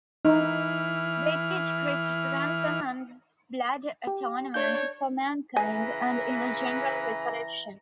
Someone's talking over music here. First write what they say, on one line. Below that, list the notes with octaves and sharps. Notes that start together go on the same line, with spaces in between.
They teach Christ's ransom and blood atonement for mankind, and in a general resurrection.
E3 D#4 F6
G4
D4 C#5 G6
C#3 E3 B4 G#5 A#5